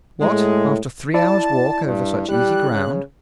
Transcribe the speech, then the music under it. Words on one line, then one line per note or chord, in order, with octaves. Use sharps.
"What! after three hours' walk over such easy ground."
A2 G#3
E4 D5 A5
G2
G3 F#6
C#3